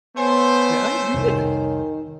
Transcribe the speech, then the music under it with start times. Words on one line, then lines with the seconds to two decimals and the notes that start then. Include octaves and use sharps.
The idea!
0.17 A3 B3 C5 C#5 G#5
1.14 F1 C2 D#3